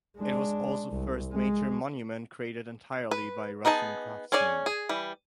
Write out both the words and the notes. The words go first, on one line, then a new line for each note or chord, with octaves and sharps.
It was also first major monument created entirely by Russian craftsmen.
G#3 D4
C2
G#3
B4
B3 D#4 G#4 C#5 A5
C#4 G#4 C#5 D5 G#5
G#4
E3 G3